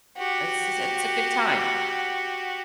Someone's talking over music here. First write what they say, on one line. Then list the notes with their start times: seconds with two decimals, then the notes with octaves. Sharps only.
it's a it's a good time.
0.18 F#4 G4